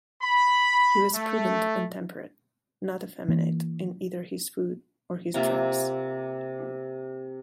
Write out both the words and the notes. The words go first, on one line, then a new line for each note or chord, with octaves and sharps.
He was prudent and temperate, not effeminate in either his food or his dress.
B5
A3
E3 A#3
C3 A#3 F4 E5